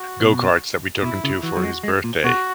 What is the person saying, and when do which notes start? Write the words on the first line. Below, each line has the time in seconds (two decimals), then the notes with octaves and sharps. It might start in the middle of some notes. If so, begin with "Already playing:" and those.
go-karts that we took him to for his birthday.
Already playing: F#4
0.22 B2
1.03 B2 E4
1.24 C#3
1.43 E3 F#4
1.57 F#3
1.63 G#3
1.83 G#3
2.04 A#2
2.24 B2 F#4